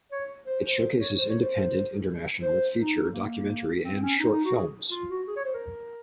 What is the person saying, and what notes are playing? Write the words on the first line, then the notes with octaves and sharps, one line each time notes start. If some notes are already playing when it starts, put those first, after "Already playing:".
It showcases independent, international, feature, documentary and short films.
C#5
C5
C5
C#5
C5
C#5
C5
C5
D#4
A#3
C4
C#4
D#4
D#4
F#4
G#4
F4
F#4
G#4
C#5
C5
A#4